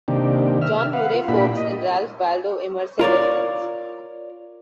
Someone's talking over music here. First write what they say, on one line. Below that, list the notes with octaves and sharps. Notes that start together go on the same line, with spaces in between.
John Murray Forbes and Ralph Waldo Emerson were friends.
C3 D#3 A#3 D4 G4
E5 F6
B4 F5 F#5
F4
A#2 A#3 D4 E4 G4 B5
D#5
F4 A#4 C#5 D5